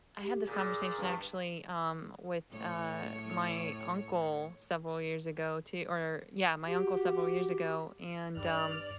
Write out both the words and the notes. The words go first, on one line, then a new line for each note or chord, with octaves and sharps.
I had this conversation actually, um, with, uh, my uncle several years ago too or yeah, my uncle several years ago, and, um,
G4
A#2 G#4
G2
A2 C#5
F#4 G4
G2 D5 F6